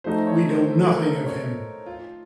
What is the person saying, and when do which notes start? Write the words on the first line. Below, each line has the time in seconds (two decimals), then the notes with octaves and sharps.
We know nothing of him.
0.04 F3 A3 D#4 F#4 C5
0.27 C#5
0.50 C5
0.72 A4
0.96 A#4
1.27 C#5
1.86 F4